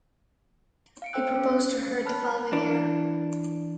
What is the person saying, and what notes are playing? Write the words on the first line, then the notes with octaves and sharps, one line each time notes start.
He proposed to her the following year.
F5 C#7 D7
A4 C5 F5 G5 E6 F#6
C#4
C#5 A5 B5 F6 F#6
E3 D4